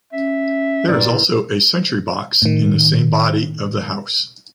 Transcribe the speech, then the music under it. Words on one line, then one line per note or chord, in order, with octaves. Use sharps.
There is also a sentry box in the same body of the house.
C#4 E5
A1 D5
A2 D#3